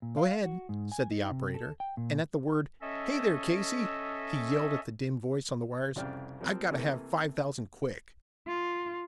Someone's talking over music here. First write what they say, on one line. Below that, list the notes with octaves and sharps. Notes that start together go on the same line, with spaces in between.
'Go ahead,' said the operator,--and, at the word, 'Hey there, Casey,' he yelled at the dim voice on the wires, 'I've gotta have five thousand quick!
A#2
F5
F#4
G#2
G#5
D#4
C3
A4
G5
A#2
C#4 A4 D#5 E5
C2 F2 C#3 D5 G5 F6
F3 G3 A#3 C4
C3 E3 A3 A#3
F4